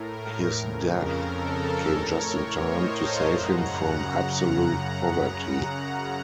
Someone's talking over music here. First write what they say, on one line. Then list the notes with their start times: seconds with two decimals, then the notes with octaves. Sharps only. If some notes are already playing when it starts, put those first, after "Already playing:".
His death came just in time to save him from absolute poverty.
Already playing: A2 A#4
0.54 F2 C#3
0.88 A#4
1.23 A4
1.90 A2 A#4 C#5
2.24 A#4 C#5
2.59 C5 D#5
2.92 F5 A5
3.27 F#2 C#3 F#5 A#5